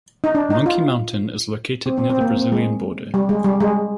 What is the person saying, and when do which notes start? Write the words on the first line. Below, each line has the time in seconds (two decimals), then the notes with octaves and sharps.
Monkey Mountain is located near the Brazilian border.
0.24 D#4
0.35 D4
0.50 D#4
0.66 F4
1.86 C4
1.98 C4
2.10 C4
2.21 A#3
2.37 C4
2.52 G#3
3.14 G3
3.29 G#3
3.44 G3
3.60 G#3